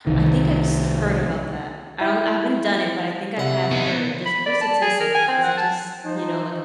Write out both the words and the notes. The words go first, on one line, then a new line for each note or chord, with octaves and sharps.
I think I've s heard about that. I don't I haven't done it, but I think I have heard. Does what does it taste like? Is it just, you know, like a
C2 D#3
E4
C2 F#5
B3 D#4
B5
D5
A5
G#4
A#4
G#5
C4
F#5
A5
F3 D#4 C5